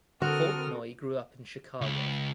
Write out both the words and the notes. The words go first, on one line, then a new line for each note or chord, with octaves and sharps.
Portnoy grew up in Chicago.
D3 C4 F#4 A4 A#4 D#6 F6
C#2